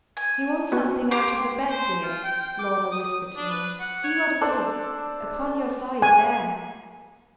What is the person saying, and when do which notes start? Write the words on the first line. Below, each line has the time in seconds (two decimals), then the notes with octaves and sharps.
'He wants something out of the bed, dear,' Lorna whispered to me; 'see what it is, upon your side, there.'
0.17 G#5
0.72 B3 F#4
1.11 G4 C5 D6
1.70 C5
2.03 F4
2.23 G5
2.59 D6
2.92 D#6
3.37 D4
3.49 B4
3.80 F#5
4.04 C#5
4.41 D4 A4 C5 D5
6.02 G#5